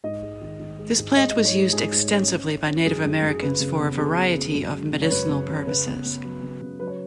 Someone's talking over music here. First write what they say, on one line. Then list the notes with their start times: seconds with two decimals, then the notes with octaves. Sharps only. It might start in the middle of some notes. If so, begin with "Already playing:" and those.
This plant was used extensively by Native Americans for a variety of medicinal purposes.
0.04 G#2 D#5
0.23 G#3
0.41 D#3
0.59 D#3
0.79 G#3
0.98 G#2
1.16 G#3 D#5
1.31 D#5
1.36 G#2
1.45 C#5
1.54 G#3
1.72 G#2 G#4
1.92 G#2
2.10 C#4
2.29 C#4
2.48 C#4
2.67 C#4
2.86 F#2 G#4
3.05 F#2
3.23 F#2
3.29 G#4
3.42 C#3 B4
3.60 C#3
3.79 B3
3.98 C#3 G#4
4.17 B3
4.36 C#3
4.54 F#2
4.73 G#3
4.93 C#3
5.02 C#5
5.10 F#2 B4
5.29 C#3
5.49 C#3
5.67 C#3 B4
5.86 B3
6.04 B3
6.24 F#3
6.43 C#3
6.61 C#3
6.80 F#3 B4
6.87 C#5